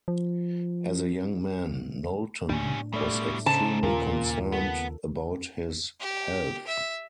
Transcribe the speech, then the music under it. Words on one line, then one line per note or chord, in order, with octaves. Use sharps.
As a young man, Knowlton was extremely concerned about his health.
F3
A2 G3 C#4 D4
B2 G3 A3 D5
C#3 C#4 D#4 C5 A5
D#2 A#2 F4 A#4
B3 A4
G4
E5